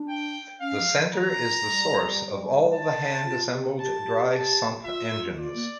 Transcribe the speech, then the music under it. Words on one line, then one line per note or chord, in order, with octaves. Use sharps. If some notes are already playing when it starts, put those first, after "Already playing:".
The center is the source of all the hand assembled dry sump engines.
Already playing: D4
G5
C#4 F5
F3
E3
E3 A#5
G3
A5
F4
G4
G4 A5
G4
A5
F4 E5
F4
F4 D5
A#3